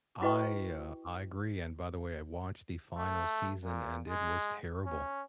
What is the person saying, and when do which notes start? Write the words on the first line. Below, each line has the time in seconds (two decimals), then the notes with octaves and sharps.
I, uh, I agree, and by the way, I watched the final season and it was terrible.
0.22 E4 F#4 B4 D#5 G5 C#6
2.97 A3
3.64 A#2
4.09 G#3
4.85 C#4